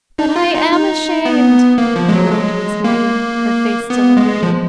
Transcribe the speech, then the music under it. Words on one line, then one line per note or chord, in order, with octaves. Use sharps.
"But I am ashamed," moaned Miss Maggie, her face still averted.
D#4
F4
D#4
D#4
B3
A#3
F3
G#3
F#3
G#3
A#3
B3
G#3
F3